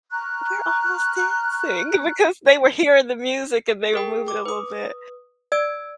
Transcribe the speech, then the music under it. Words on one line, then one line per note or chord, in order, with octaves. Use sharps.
"We're almost dancing" because they were hearing the music, and they were moving a little bit,
A#5 C#6 F6 F#6
G#4 A#4 G5
D6
B4 D#6
D5 E6 G#6 D7